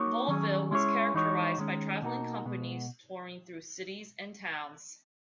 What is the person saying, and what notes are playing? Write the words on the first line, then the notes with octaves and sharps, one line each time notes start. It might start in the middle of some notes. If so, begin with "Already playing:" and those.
Vaudeville was characterized by traveling companies touring through cities and towns.
Already playing: A#3 D#4 F#4 A#4 C#5
D#3 F#3 C#4 G#4
G#3 C#4 E4 G#4 C#5
E3 G#3 D#4 F#4 C#5
D#3 G#3 C#4
B2 A#3 D#4 F#4 A#4
B2 G#3 B3